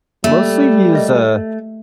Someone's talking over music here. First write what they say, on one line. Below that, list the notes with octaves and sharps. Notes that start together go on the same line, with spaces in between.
mostly use, uh,
G3 A3 A#3 E5
G4 A#4 D#5